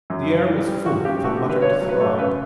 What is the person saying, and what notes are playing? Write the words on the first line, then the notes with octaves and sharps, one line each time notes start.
The air was full of a muttered throb.
F#2
E3
G3
G3
C#2 F#4
C#3 G4
A3 F#4
G4
D3
B4
G2 C#5
F#3
B4
A3 C#5
C#3 B4